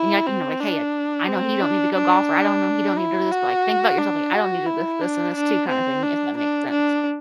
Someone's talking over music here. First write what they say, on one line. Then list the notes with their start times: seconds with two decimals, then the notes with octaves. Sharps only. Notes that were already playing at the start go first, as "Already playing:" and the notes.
and, you know, like, "Hey, I know he don't need to go golf," or, I don't know, "He don't need to do this." But, like, think about yourself, like, "I don't need to do this, this and this too," kinda thing, if that makes sense
Already playing: E4
0.27 C4
0.60 D4
1.28 C4
1.62 D4
1.95 D4
2.98 E4
3.32 F#4
3.99 D4
4.34 F#4
4.67 E4
5.01 D4
5.35 D4
5.69 C4
6.03 D4
6.37 D4
6.70 D4